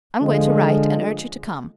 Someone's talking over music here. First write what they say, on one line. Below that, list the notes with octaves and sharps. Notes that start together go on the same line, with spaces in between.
I'm going to write and urge her to come.
D3 F3 G#3